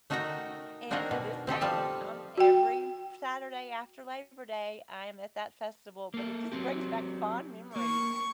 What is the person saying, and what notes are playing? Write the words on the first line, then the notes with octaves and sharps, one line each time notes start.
And to this day, I'm every Saturday after Labor Day, I am at that festival, but it just brings back fond memories.
A3 D#4 F#4 A#4 G5 A#5
C4 D4 D#4 F#4 G#4 A#4
B2
C4 G4 A4 D#5
F3 G3 F5 A5
F#4 G5
A#3 A4
F#3 C4 G4
A#3 C#6